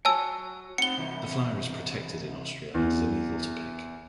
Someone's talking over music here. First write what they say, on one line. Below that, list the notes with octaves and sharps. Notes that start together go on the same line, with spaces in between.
The flower is protected in Austria and illegal to pick.
F#4 C#5 G#5 A5 E6
C4 F#5 C#7 G7
C3 E3
E2